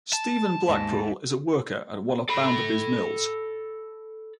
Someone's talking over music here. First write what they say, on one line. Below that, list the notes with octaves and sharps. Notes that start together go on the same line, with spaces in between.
Stephen Blackpool is a worker at one of Bounderby's mills.
A5
D#2 G#2
A4 B5